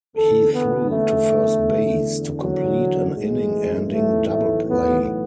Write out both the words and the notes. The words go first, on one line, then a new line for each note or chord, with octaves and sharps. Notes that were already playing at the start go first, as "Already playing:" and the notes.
He threw to first base to complete an inning-ending double play.
E2 D3 A4
B3
A3
F#3
B1 A2 E3 G#3
A3
A3
B3